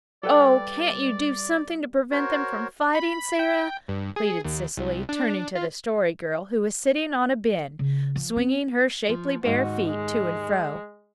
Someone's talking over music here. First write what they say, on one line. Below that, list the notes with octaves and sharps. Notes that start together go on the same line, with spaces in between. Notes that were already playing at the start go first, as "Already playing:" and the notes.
"Oh, can't you do something to prevent them from fighting, Sara?" pleaded Cecily, turning to the Story Girl, who was sitting on a bin, swinging her shapely bare feet to and fro.
G3 A4 B4 D5 G5
F#4 A#4 C5 C#5
B5
G5
G2
G#4
D#2
C2
D4
F4
C#3
F3
C4
F3
D#2 G#2 D#4 F#4
G#3